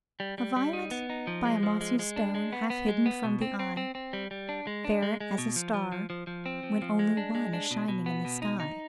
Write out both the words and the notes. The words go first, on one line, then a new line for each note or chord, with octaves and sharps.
A violet by a mossy stone Half hidden from the eye! --Fair as a star, when only one Is shining in the sky.
G3
G3
G3
D#4
B3
D#4
F3
G#3
F3
G#3
G#3
D4
G#3
B3
B3
G#3
B3
B2
C4
C4
C4
C4
G3
G3
D4
G#3
D4
G#3
G#3
B2
F3
F3
F3
F3
F3
C4
F3
F3
G#3
D4
G#3
D4
B2
B2
B3
B2
D#4
D#4